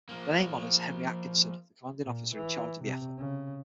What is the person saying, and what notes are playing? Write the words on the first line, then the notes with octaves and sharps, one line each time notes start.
The name honors Henry Atkinson, the commanding officer in charge of the effort.
F3 A#3
A#2
E3
C3
C#3